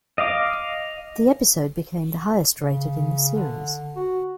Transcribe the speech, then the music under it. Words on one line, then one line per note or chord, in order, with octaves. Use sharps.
The episode became the highest rated in the series.
D#5 F5 D6
C#3
D3
F#4